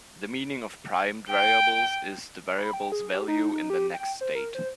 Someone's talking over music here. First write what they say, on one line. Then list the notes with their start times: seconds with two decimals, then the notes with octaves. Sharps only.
The meaning of primed variables is "the variable's value in the next state".
1.29 G5
2.58 B5
2.73 G5
2.92 G#4
3.13 G4
3.28 D#4
3.70 G4
3.94 G5
4.21 C5
4.35 A#4
4.55 C5